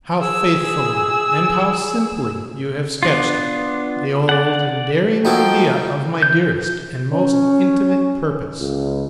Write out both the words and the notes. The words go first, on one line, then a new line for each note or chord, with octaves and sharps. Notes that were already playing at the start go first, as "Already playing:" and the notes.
How faithfully and how simply you have sketched it, the old and daring idea of my dearest and most intimate purpose!
G#4 E6
B3 D4 F4
D5 F#5
F3 D#4 F#4 A4 G5
G6
C#4
C#2